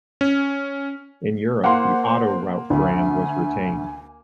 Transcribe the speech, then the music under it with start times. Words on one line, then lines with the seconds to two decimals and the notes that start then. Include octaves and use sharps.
In Europe the Autoroute brand was retained.
0.21 C#4
1.64 A#3 C5 F5 F#5 C6
2.70 D2 G#5